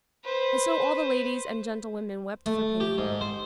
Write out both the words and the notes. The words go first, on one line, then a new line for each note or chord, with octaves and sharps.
And so all the ladies and gentlewomen wept for pity.
B4 C5
A3
G4
G#2
C5